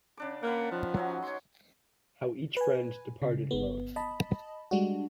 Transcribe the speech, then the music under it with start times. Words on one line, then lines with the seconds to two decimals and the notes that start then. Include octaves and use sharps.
How each friend departed alone.
0.17 C#3 D4 D6
0.43 A#3 B4 F5 F#5
0.71 D#3 F3
0.95 F#3 C#4 D#4
1.22 C#5 C6
2.57 B4 G#5
3.22 C#3
3.51 G1 B3
3.96 D#5 A5 B5
4.71 G3 G#3 D4 F#4